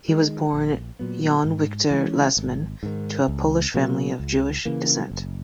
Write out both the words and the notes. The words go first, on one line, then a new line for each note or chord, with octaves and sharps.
He was born Jan Wiktor Lesman to a Polish family of Jewish descent.
D#3 G#3
A#1
A#2 F#3 B3
G#2
E3 G#3 C#4
G#1
G#2 D#3
C#2
B2 F#3 A#3
C#2
C#3 E3 A#3
F#1